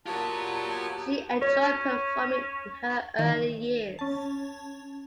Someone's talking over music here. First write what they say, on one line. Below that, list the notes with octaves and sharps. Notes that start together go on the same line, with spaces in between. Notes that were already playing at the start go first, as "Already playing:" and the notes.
She enjoyed performing in her early years.
F#3 B3 F4 G4 A#4 A5
C#4 C#5
D#3
C#4 A5